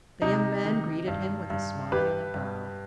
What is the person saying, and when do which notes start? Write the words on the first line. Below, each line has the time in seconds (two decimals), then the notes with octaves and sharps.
The young man greeted him with a smile and a bow.
0.22 C3 D#4
0.65 D#3
1.08 G2
1.50 G2
1.92 G2 G4 B4
2.34 G2